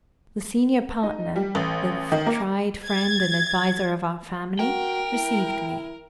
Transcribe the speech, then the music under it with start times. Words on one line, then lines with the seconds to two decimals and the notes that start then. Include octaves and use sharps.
The senior partner--the tried friend and adviser of our family--received me.
1.03 D#4
1.36 G3
1.55 A1
2.12 D#3
2.26 A#3
2.85 G#6 A6
4.59 F#4 A#4 G5
5.12 E4